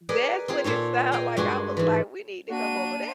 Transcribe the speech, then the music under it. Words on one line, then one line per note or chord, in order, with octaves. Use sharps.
That's what it sound like. I was like, "We need to come over
G#4 A#4 B4 D5 D#5
C4 F4 G#4
A#2 F4 A4 C#5
G#4 D#5 F5 G5
G2 G#3 F#4 G#5 C6
G#2 E3
A#3 D4 F#4 D#7